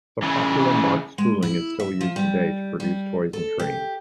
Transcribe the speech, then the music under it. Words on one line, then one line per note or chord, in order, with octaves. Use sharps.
Some popular Marx tooling is still used today to produce toys and trains.
C#3 E3
G#3
E4
E5
F3
G3
G3
A4
G4